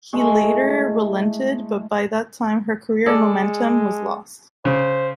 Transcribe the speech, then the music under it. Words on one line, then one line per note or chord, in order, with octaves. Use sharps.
He later relented but by that time her career momentum was lost.
G#3 A3 E4
G#3 A4 D5
C#3 C5